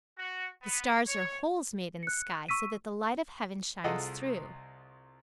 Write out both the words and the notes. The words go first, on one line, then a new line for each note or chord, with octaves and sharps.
The stars are holes made in the sky, so that the light of heaven shines through.
F#4
B3
C#5
F#6 C#7
C#6 E6 B6 D#7
C2 F4 G#4 A4 D#5 F#5